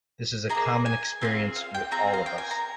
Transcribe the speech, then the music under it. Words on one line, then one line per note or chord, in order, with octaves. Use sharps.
This is a common experience with all of us.
D#4 G#4 A#5
A#3
G#5
C4 F4 G#4
F5
G5
C4 F4 G#4 A#5
F5
G5
G#5
A#5